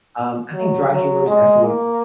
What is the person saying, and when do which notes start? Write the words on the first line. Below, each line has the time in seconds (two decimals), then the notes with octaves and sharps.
um, I think dry humor is definitely
0.54 F#3
0.90 F#3
1.27 G#3
1.64 A#3